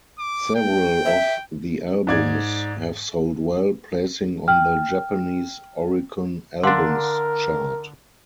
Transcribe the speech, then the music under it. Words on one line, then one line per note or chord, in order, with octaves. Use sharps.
Several of the albums have sold well, placing on the Japanese Oricon Albums Chart.
D6
G5
E5
G#2 D5 G#6
G5 F6
D3 D4 A#4 F5 F#5 C6